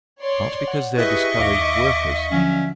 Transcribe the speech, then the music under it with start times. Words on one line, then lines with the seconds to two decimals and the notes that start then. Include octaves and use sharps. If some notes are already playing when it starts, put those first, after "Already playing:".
Not because they are discouraged workers.
0.21 C#5 D5 C6
0.68 F#5
0.98 E4 G4 G#4 B4 D#5 E5 C#6
1.38 D#2 F5 D6 A#6
2.31 D3 F3 F#3 C#4